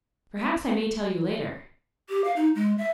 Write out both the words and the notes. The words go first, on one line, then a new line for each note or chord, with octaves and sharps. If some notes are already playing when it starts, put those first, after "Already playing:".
Perhaps I may tell you later.
G4
F5
D#4
G#3
E5